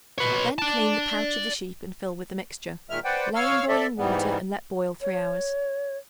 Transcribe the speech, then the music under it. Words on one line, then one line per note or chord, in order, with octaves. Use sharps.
Then clean the pouch of the sheep and fill with the mixture. Lay in boiling water and let boil three hours.
B4 C#5
D5 A5
A#2 D#3 G#3 E5 F6
B4 C5 D5 F#5 G5
C#5 F5 C#6 E6 F6
A4 D5 E5
G#2 E3 G3 B3
C#5